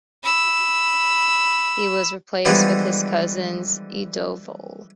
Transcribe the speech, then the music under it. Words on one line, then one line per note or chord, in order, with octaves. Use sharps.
He was replaced with his cousin, Idvallo.
B5 E6
D3 E3 F3 G3 G#3 B3